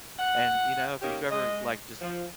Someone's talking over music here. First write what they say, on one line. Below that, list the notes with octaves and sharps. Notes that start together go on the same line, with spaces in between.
and, you know, if you've ever, like, just
F#5
A#3 C#4 D#4 G4
G#3 D#5
F3